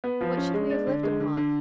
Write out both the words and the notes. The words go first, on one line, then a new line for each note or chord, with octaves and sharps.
What should we have lived upon?
B3
F3
C#4
G#3
D4
D3
G#3
D3
D3